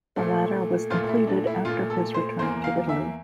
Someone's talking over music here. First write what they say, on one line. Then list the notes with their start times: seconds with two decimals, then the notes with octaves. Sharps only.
The latter was completed after his return to Italy.
0.16 A#2 A3
0.90 A#2 A3 F4
1.09 E4
1.27 D4
1.47 E4
1.65 A#2 A3 F4
1.90 A4
2.14 C5
2.39 E2 E3 A#3 C5
2.64 F5
2.89 E5